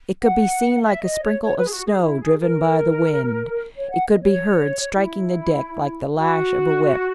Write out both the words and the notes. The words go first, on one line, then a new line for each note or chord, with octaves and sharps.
It could be seen like a sprinkle of snow driven by the wind, it could be heard striking the deck like the lash of a whip.
F#5
E5
D#5
C#5
C#5
B4
G#4
F#4
G#4
E4
G#4
A#4
C#5
F#5
D#5
C#5
E4
F#4